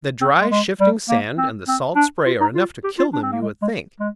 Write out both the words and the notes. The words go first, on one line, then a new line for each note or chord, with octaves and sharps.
The dry, shifting sand, and the salt spray, are enough to kill them, you would think.
C4
G#3
G#3
G3
A#3
C4
C4
D4
F4
D#4
F4
G4
F4
D4
C4
A#3
G#3
G#3
G#3